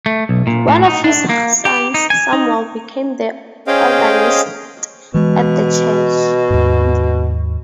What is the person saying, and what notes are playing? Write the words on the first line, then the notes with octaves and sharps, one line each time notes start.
One of his sons, Samuel, became the organist at the church.
A3
B1
A#2
A2
D#4
D4
A#3
G4
D#4
G#5
D#4
C#4 G#4 C5 D#5 F5 G5
B2 E3 G#3
D#2 G#2